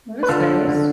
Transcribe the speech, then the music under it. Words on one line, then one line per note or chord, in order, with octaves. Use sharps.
Well, that's nice.
B4
D3 F4 A4
D3